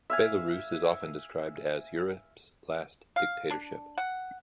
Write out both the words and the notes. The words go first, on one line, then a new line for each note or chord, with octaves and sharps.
Belarus is often described as "Europe's last dictatorship".
E5 F5 G#5
F5
D4
F#5